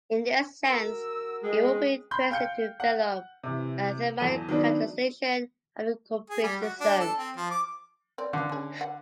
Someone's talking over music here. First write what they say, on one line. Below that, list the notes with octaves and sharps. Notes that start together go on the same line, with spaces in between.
In this sense, it would be interesting to develop a thematic capitalization of the cooperation zone.
F#4 A#4 E6
G#3 B4 G5
B5 C6 G6
F5 G5 G6 C#7
F#5
C3 E3
E2 F#3 A4 D#7
D#3 F#3 B3 D4
G#4
G3
F#4
D4
A4
C4
F3
D6
C4 D5
D3 F5 F#5
C#4 G#4
F#5